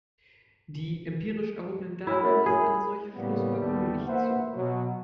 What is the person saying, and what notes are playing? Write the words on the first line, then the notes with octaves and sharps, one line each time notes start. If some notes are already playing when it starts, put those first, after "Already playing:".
Die empirisch erhobenen Daten lassen eine solche Schlussfolgerung nicht zu.
E4 F#4 C#5 B5
F#2 B5
F#2 G#4
A2 C#3 E3 G3 A#3 B3
D#2 G3 A3 B3
A#3 B4 C5 E5 F#5
B2 F#3